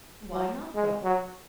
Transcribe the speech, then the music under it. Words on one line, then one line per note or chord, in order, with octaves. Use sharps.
"Why not go?"
F#3
G#3
F#3